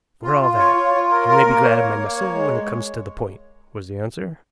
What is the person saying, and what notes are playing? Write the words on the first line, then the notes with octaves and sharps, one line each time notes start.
"For all that, you may be glad of my muscle when it comes to the point," was the answer.
F4
F4
C#5
F4
F4
A#4
A#4
A#3
C#5
A#3
A#3
C#5
G#3